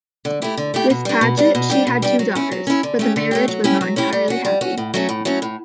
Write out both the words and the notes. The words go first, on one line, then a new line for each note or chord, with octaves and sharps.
With Paget she had two daughters, but the marriage was not entirely happy.
D3
A3 E4 G4
D3
A3 E4 G4
B2
G3 D4
B2
G3 D4
B2
G3 D4 G4
B2
G3 D4 G4
F#3
C#4 E4
F#3
C#4 E4
D3
A3 C#4 G4
D3
A3 C#4 G4
F#3
C#4 E4 G4
F#3
C#4 E4 G4
G3
C#4 F#4
G3
C#4 F#4
A2
F#3 A3 C#4
A2
F#3 A3 C#4
A2